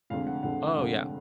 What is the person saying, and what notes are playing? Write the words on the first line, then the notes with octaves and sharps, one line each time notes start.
Oh, yeah.
F1 F2 D3 G#3 F5
F#5
F1 F2 D3 G#3 F#5
F1 F2 D3 G#3 F5